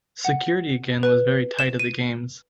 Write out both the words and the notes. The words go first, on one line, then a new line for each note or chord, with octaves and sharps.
Security again was very tight at the games.
F#5
B4
E7
D#7